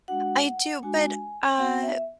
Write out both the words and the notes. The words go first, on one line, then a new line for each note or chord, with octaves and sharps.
I do, but, uh,
G#3 D4 F#4 F#5
F#5
G#3 D4 F#4 G#5
B3 F#4 F#5
E5